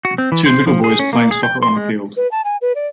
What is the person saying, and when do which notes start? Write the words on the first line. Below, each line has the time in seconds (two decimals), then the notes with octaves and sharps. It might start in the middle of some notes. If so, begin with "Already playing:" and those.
Two little boys playing soccer on a field.
0.05 F#4
0.18 C4
0.32 E3
0.46 C5
0.67 F3
0.84 G#4
0.99 C#4
1.13 A#3
1.31 G#4
1.43 G5
1.63 C6
1.76 G#3
2.17 B4
2.31 A5
2.44 G#5
2.61 B4
2.75 D5